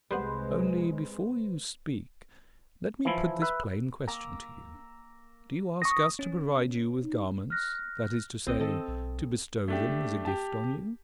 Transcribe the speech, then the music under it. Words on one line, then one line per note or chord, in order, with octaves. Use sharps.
"Only before you speak, let me put this plain question to you: Do you ask us to provide you with garments--that is to say, to bestow them as a gift on you?"
C2 G3 G#3 B3 B4 C5
E3 F3 E4
B4 E5
A#3 A#5 E6
C#6 D#6 A#6
C#4
D#4
F6 F#6 A#6
B1 C4 D#5
D#3 A4 D#5
B1
A3 D4 G4
G4 A5